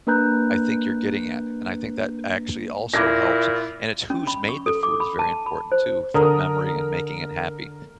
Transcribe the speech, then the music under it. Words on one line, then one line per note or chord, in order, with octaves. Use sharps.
I think you're getting at, and I think that actually also helps, and it's who's made the food is very important too, for memory and making it happy.
A#3 D4 B4 A#5 F#6 G6
A#2 E4 D6 G#6 A#6
C#4
B5
C#6
A4
D6
B5
A5
B5
C5
D3 A#4 D#6